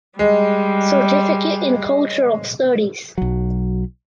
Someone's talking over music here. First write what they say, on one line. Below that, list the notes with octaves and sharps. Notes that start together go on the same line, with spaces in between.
Certificate in Cultural Studies.
G3 G#3
B1 F#3